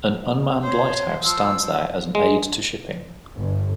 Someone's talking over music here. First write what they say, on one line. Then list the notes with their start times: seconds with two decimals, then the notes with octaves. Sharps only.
An unmanned lighthouse stands there as an aid to shipping.
0.63 C5 C#5
1.24 F3 E6
2.15 G#3
3.36 G1